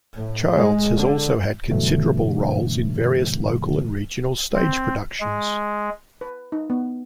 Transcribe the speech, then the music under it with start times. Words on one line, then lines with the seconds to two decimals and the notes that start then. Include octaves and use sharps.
Childs has also had considerable roles in various local and regional stage productions.
0.16 A2
0.57 G#3
0.95 D3
1.70 G2 B2 D3 E3 F#3 A3
4.55 C4
5.20 G#3
6.21 B4
6.52 D#4
6.70 B3